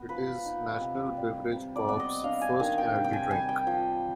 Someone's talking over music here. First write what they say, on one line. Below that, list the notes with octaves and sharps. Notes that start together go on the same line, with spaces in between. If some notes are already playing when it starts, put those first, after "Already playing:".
It is National Beverage Corp.'s first energy drink.
Already playing: B3
F3 B4
D#4
C3
G3
C3
D5
B3 D5
D#5
D4 F5
G#5
D#3 G#5
G5
C3
G5
G#5
G3 G#5
G5
F3